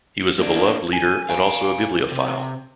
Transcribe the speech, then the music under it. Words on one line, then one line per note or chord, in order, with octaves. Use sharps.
He was a beloved leader and also a bibliophile.
A#3 D4
G#5
F5 G#5
C3